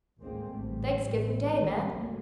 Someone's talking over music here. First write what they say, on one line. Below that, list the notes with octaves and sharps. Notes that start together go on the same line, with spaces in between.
'Thanksgiving Day, man!
G#1 D2 A#2 G#3 A#3 C4
A1 G#2 D3 G3 A3
A1 F#3 G#3
A#1 D#3 F#3 A#3
G1 C2 F#3 G3 A3 A#3